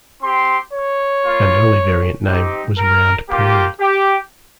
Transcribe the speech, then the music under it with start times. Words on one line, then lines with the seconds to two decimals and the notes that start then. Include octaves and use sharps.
An early variant name was Round Prairie.
0.22 C4 G4 C6
0.73 C#5
1.24 A#3 F4
2.26 C4 D#4 G4
2.78 A#4
3.30 A#3 F4 G4
3.80 G4